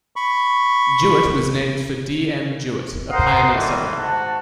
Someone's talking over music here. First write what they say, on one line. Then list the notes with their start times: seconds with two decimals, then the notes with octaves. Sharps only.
Jewett was named for D. M. Jewett, a pioneer settler.
0.16 B5 C#6
3.11 A#4 C5 D#5 F5 F#5
3.53 D#3 E3 G3 A3
3.97 G#2 F#4 A5